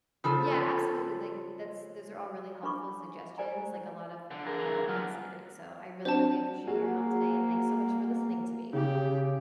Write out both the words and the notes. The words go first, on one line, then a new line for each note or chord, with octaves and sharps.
Yeah, absolutely, like, that's those are all really helpful suggestions, like, a lot of I had not considered, so, I really, really appreciate your help today, and thanks so much for listening to me.
C#3 F3 A4
D4 B4 B5 C#6 D6
C5 D5 G#5 A#5
D3
G#4 A#4
G2 E3
F#3 B3 D4 F4
C4 D4 F#4 C5 A5
A#3 F#4 G#4
C#3 G4